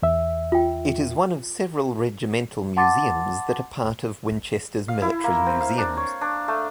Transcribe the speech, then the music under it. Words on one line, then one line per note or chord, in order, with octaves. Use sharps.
It is one of several regimental museums that are part of Winchester's Military Museums.
E2 E5
F4 G5
F#5 A5 C6 D6 A6
F5
E4
A#3
C4
F5
D4
C#5
D4
A3